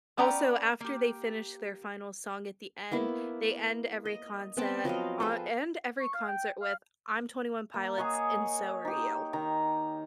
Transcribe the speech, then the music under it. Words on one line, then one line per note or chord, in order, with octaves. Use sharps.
also, after they finish their final song at the end, they end every concer o end every concert with "I'm Twenty One Pilots, and so are you."
B3 C#4 D5 G5 A#5
A#3 G4
A#3 B3 E4
D#5
B3 C4 G5 A5
F3 F#3 D#5 F5
G#4 A4 B4 G5
C#6
F5
G5
F5
A#3
G#4 C#5 D#5 F#5
D#4 G4
D#3 A#5